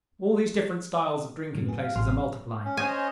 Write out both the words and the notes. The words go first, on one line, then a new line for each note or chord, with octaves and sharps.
All these different styles of drinking-places are multiplying.
F#2 A2 C#3 F#3
B3 G#4
F5
A1 F#3 C6 F6
C#4
C5 C#5 D#5 G#5